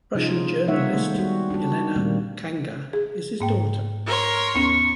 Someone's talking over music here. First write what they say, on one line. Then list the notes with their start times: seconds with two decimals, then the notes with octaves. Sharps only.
Russian journalist Yelena Khanga is his daughter.
0.15 C3 F3 C#4 D#4 F4 G#4
0.67 G3 A#3 D#4 C#5 E5 F#5
0.93 D#3 G#3 A3 B3 C5
1.15 G3 F#4
1.50 D4 F#4
1.95 A#2 D#3 G3 A3 A#3 C4
2.93 G#4
3.41 G#2 A#3 G5
4.07 A#4 C#5 C6
4.55 D#2 B3 C#4 C#6